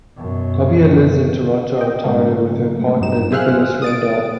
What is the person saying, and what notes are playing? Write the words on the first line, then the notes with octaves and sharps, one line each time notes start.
Govier lives in Toronto, Ontario with her partner Nicholas Rundall.
F#2 B2
D#5 G5
G#2 C#3 F#3 A3 A#3
G2 F#3 D#4 E7
G#4 C5 E5 F5 F6 F#6
D#6 A6 D7